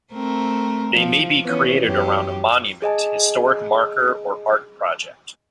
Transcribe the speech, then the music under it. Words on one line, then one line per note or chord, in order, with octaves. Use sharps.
They may be created around a monument, historic marker or art project.
A3 C4 A#4
F3
E3 B3 C#4
F#2 G4
G#4 D#5 G#5 A5